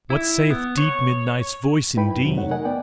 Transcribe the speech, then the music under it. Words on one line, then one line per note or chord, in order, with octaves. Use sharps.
What saith deep midnight's voice indeed?
E4
B3
C#5
D#4 E4 B4 G5 B5
F#2
F2 C3 D#3 F#3
A3 D#4 C#5 F#5
A#4 D#5 F#5 G#5
B3 D5 G5